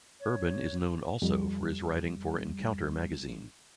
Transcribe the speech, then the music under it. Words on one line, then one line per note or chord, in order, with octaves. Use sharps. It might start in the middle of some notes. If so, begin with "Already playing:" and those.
Urban is known also for his writing for "Encounter" magazine.
C#5
F2 G3